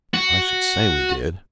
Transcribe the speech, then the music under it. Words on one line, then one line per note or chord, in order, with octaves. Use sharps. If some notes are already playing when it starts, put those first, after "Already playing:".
"I should say we did?"
F#4